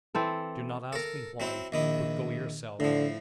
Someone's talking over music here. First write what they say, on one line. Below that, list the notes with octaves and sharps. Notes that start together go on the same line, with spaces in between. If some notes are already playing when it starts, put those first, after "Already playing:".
Do not ask me why: but go yourself.
E3 C4 A4
A4 A#4
F#3 C4 E4
A#1 D#3 E4
A2 D3 F3